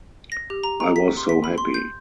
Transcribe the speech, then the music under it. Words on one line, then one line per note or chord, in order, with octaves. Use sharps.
I was so happy.
A#6
G4
A#5
A#5
B6
C6
B6
B5
C6
G6